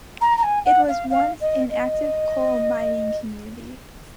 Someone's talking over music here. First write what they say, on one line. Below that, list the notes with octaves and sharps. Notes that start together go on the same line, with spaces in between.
It was once an active coal mining community.
A#5
A#5
G#5
F#5
F5
F5
D#5
D#5